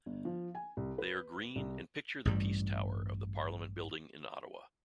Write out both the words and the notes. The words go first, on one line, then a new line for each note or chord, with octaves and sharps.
They are green, and picture the Peace Tower of the Parliament building in Ottawa.
G1
F3
G#5
C2
B4
C2
A1 G2 G3